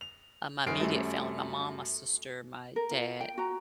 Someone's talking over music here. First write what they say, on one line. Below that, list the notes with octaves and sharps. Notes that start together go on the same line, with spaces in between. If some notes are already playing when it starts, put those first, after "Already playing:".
uh, my immediate family, my mom, my sister, my dad,
F7
D1 G1 D#3 G#5 C7 D7
F#2 F#3 G3 A3
A#4
F4
G5
F#4 A#5